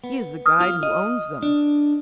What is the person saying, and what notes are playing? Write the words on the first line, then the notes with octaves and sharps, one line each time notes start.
'He is the guide who owns them.'
B3
D#6 F6
F4
D#5
D4